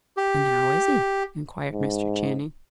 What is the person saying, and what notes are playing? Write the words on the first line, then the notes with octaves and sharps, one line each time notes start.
"And how is he?" inquired Mr. Channing.
G4
G#2